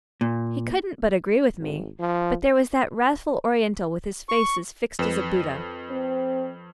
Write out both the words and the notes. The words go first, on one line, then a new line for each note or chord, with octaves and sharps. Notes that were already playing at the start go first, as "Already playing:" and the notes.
He couldn't but agree with me, but there was that wrathful Oriental with his face as fixed as a Buddha.
A#2
G#1
F3
C#6
F2 B4 E7
C4